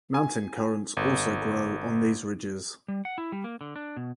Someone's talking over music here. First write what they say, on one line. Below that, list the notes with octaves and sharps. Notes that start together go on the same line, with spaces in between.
Mountain currants also grow on these ridges.
G#5
G1
G3
F#5
E4
G3
A#3
D3
D4
B2